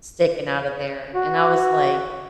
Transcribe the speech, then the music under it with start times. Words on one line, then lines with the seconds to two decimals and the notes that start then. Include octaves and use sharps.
sticking out of there. And I was like
1.14 F#4